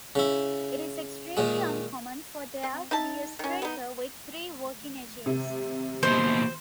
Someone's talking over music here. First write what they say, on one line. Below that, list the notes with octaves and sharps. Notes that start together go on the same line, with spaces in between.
It is extremely uncommon for there to be a scraper with three working edges.
C#3 E4
D#2 A#2 G#3
C4
D#4 E5 A5
D#3 C#4
B3 D#4
C3
D#2 B2 C5